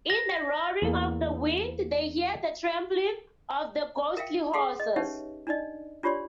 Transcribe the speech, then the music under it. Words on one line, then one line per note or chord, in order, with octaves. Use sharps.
In the roaring of the wind they hear the trampling of the ghostly horses.
A#6
E2 A#3
A#4 E5 F5 G5
G#4 A4 F5 F#5 C6
D#5
C#4 D#4 G4 B4 C#5 E5
D4 D#4 D5 D#5
D4 F4 G4 C#5 D5 C6